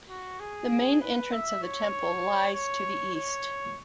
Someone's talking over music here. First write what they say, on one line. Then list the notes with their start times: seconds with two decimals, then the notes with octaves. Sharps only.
The main entrance of the temple lies to the east.
0.09 F#4
0.39 G#4
1.01 B4
1.32 E5
1.63 C#5
2.54 C#5
3.15 C#5